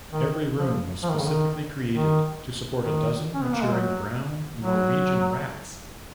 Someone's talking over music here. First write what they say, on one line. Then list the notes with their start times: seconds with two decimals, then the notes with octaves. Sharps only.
Every room was specifically created to support a dozen matured brown Norwegian rats.
0.13 D#3
0.57 F3
1.03 F3
1.11 D#3
1.19 C#3
1.27 D#3
1.92 D#3
2.82 D#3
3.34 C#4
3.44 B3
3.53 A#3
3.62 G#3
3.72 F#3
4.62 F#3